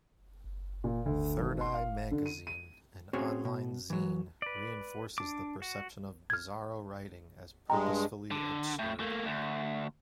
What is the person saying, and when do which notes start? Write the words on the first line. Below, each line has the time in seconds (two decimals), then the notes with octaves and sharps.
"Thirdeye Magazine", an online zine, reinforces the perception of Bizarro writing as purposefully absurd.
0.84 A#2
1.06 D2
1.39 G#1
1.61 C6
1.74 F5
2.11 D3
2.26 D#7
2.47 D#7
3.13 C4 C#4 F#4 G#4 C5 C#5
3.45 B2
3.90 E3 F#3
4.42 B4 D5
5.18 D4 D6
5.62 F#4
6.30 F6 G#6
7.70 G2 G#3 G5 A#5
8.31 D3
8.79 A2
9.00 A3 A#3
9.25 D2